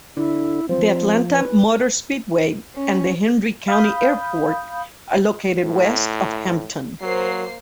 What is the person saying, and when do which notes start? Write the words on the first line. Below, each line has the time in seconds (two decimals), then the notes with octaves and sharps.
The Atlanta Motor Speedway and the Henry County Airport are located west of Hampton.
0.17 D3 E4
0.69 F3 C4
1.33 B4
2.73 C#4
3.68 F5 B5 D#6 G6
5.60 A2
7.01 F#3 A#3 C5 C7